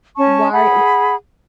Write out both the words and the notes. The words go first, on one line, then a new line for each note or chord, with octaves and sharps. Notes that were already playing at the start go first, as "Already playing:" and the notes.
why li
C#4 A5 C#6
G#4 F#5 B5